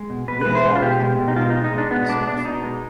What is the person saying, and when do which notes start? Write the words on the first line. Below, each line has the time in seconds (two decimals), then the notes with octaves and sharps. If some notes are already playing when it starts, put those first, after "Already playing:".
Yeah, I'm kind of at that point myself, but
Already playing: G#3
0.10 B2
0.28 B2 B4
0.41 G#3 B4
0.55 C5
0.65 G#3
0.76 F4
0.82 B2 G4
1.00 G#3
1.19 B2
1.28 D#4
1.36 G#3 F4
1.50 D#4
1.55 G#3
1.64 D#4
1.73 G#3 D4
1.91 B2 B3
2.04 D#4
2.09 G#3 D4
2.28 B2 D4
2.45 B2 D#4
2.64 G#3